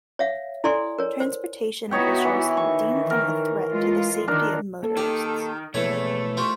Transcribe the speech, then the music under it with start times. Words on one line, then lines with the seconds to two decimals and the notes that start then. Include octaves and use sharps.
Transportation officials have deemed them a threat to the safety of motorists.
0.19 C#5 E5 F5
0.64 E4 A4 D5 G#5 C6
0.99 A#4 C#5
1.20 C5
1.91 B3 D#4 E4 F#4 C#5 G5
2.24 E3
2.57 D#3 E3 C#6
3.10 A#4
3.70 G#3 F4
4.28 D#3 D4 A#4
4.83 A#3 A4
4.97 D#3 G4
5.74 E2 B2 E3 F3 A3 A#3 C#5
6.37 C2 C4 F4 C#6